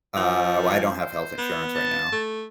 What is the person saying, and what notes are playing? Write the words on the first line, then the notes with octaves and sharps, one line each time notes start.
Uh, well, I don't have health insurance right now.
F3 A3
C5
B3
A5
A3